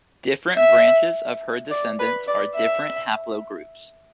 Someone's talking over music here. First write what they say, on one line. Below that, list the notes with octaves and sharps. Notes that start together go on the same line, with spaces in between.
Different branches of her descendants are different haplogroups.
E5
D5
B4
D5
E5